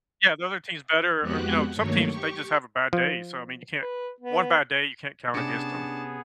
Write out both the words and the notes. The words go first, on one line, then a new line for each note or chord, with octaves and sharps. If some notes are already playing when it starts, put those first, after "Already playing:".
Yeah, the other team's better, or, you know, some teams, they just have a bad day. So, I mean, you can't one bad day, you can't count against 'em.
F2 G#3 B3 F#4 G4 F#6
G2 D#3 F#3 A3 A#3 C#5
G4 C#6
F3
B4
B3
C3 B3 C#4 D4 G#4 A5 D6 C#7